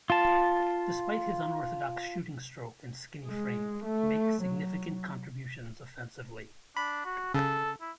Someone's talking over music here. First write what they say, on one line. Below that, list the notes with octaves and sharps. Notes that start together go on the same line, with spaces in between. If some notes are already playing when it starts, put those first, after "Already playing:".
Despite his unorthodox shooting stroke and skinny frame, he makes significant contributions offensively.
F4 A5
G#3
A3
F#3
D4 B5
F#4
C#3 A4
E4